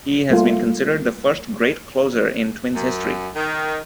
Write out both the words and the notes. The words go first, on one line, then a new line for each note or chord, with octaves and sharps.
He has been considered the first great closer in Twins history.
G3 A3 A#3 F4 G4
F#2
D#3